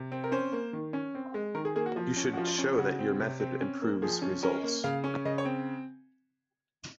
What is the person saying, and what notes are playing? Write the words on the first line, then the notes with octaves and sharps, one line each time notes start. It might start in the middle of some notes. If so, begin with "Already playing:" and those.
You should show that your method improves results.
Already playing: C3
C4
A#4
C#4 C5
A#3
D#3
C#4
C4
G#3
D#3 A#4
G#4
A#3 G#4
F#4
F3
C#4
F#4
F3 F4
C#4
C#3 F#4
C4
C3
C4
C#4
A#3
F3 G#4
C#4
C#4 A#4
A#3
C#3 F5
C#4
C#3 D#5
C#5
C4